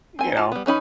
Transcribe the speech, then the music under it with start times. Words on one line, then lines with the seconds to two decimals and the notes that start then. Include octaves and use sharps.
you know,
0.19 C4 G#5
0.37 F4 A5
0.52 G3 B3
0.66 E3 C#4 D#4 B5